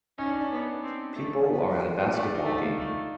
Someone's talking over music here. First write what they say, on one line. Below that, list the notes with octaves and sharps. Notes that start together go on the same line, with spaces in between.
People are at a basketball game.
C#4 D#4
D4
C#4
D4
B3
C4
A3
B3
A3 D4
D#4
A3
F4
A3